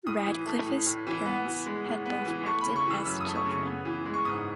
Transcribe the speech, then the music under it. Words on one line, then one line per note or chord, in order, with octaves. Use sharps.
Radcliffe's parents had both acted as children.
A2 D#6
E3
A3
A2
A2
E3
B3
E3
G#3
A2
B3
E3
A3 C#6
C#3 B5
C#6
E3 E6
F#2 E6
D#6
A3
C#6
C#3
C#6
B3
E3
G#3
C#6
G#2 D#6